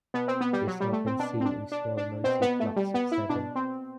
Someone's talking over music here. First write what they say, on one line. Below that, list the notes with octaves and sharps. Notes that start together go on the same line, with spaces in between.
It is often seen in small noisy flocks of seven.
B2 B3
C4
B3
G3
F#3
G3
A3
C4
B2 D4
C4
D4
D4
D4
B2 C4
B3
A3
G3
B3
E4
B2 D4
C4